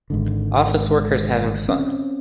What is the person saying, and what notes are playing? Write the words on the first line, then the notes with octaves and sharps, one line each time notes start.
Office workers having fun.
G#1 G#2 D3
C4 C#4